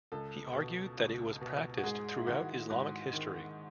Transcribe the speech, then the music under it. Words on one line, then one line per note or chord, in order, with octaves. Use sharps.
He argued that it was practiced throughout Islamic history.
C#2 A4
B2
C#2
B2
F#4
G#2 G#4
E4
D#3 F#4
G#2 F#4
D#3